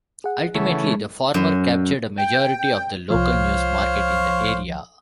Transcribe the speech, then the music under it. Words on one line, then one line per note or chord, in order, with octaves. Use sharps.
Ultimately, the former captured a majority of the local news market in the area.
G#4 F#5
C#3 E3 A3
G#3
F#2
G5
C2 F3 C5 C#5 F5